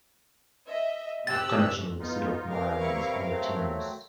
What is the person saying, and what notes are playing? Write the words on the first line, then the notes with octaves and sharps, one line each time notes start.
The connection with the city of Miami is only tenuous.
D#5 E5
C3 G4 E6 F#6 A6
B3 D#4 F4
C3 A#4 B4 F5
G3 E4 C#6
F#3 A3 C4